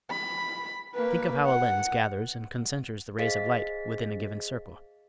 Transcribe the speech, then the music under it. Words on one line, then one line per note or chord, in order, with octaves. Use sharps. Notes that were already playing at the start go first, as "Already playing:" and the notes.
Think of how a lens gathers and concenters the rays of light within a given circle.
B5
A#3 B4
F#5
G#4 C5 D#5 F5 A6 B6